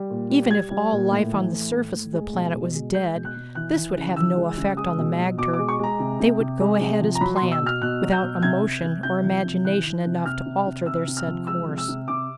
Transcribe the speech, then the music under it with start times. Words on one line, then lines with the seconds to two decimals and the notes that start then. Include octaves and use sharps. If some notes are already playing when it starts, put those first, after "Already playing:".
Even if all life on the surface of the planet was dead, this would have no effect on the magter. They would go ahead as planned, without emotion or imagination enough to alter their set course.
Already playing: G3
0.10 A#2
0.30 G3
0.51 G3 G#6
0.71 G3
0.92 A#2
1.11 A2
1.32 E3
1.52 A2
1.73 A2
1.93 A2
2.13 G#3
2.33 B2
2.54 B2
2.74 G#3
2.94 G#3 G6
3.15 B2
3.25 F#6
3.35 B2
3.55 E3 F#6
3.76 E3
3.96 C#3
4.16 E3 E6
4.37 G#3
4.56 C#3
4.77 G#3 D#6
4.97 B2
5.18 B2
5.37 B2 D6
5.53 D6
5.58 G#3
5.68 C#6
5.79 G#3 A#5
5.99 C3
6.19 C3
6.40 C3
6.60 G#3
6.80 C3
7.01 F3
7.15 A#5
7.21 F#3 B5
7.36 C6
7.41 B2
7.52 E6
7.62 B2 F6
7.82 B2 F#6
8.02 F#3
8.12 G6
8.22 B2
8.42 C3 G#6
8.63 C3
8.83 C3
9.03 C3 G6
9.24 F3
9.44 C3
9.65 E3 F#6
9.85 E3
10.05 C3
10.25 C3 F6
10.45 C3
10.66 C3
10.86 C3 E6
11.07 C3
11.17 F6
11.27 F3
11.47 G#3 E6
11.68 C3
11.78 E6
11.88 C3
12.08 C3 D6